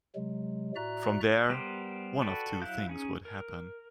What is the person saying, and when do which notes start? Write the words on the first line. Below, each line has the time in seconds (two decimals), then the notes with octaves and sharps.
From there, one of two things would happen.
0.15 C3 F#3 G#3
0.76 A2 F#4 D5 E5 A#5 F#6
1.50 G3 B3 G4 A#4 C5
2.22 F#4 A4 B4 D5 G5
2.62 F#3 E4 F5 F#6 G6
2.89 C#4 D#4 G#4
3.25 A#4